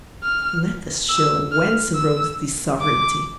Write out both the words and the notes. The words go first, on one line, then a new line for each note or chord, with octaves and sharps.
Let us show whence arose this sovereignty.
F6
E6
F6
E6
D6